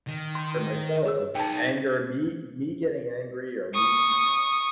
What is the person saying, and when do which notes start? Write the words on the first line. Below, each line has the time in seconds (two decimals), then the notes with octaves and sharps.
for myself, like, a anger me eh me getting angry, or me
0.08 D#3
0.35 C6
1.06 G#4 C#5 E6
1.35 B3 D#4 G5 A5
3.74 C#6 D#6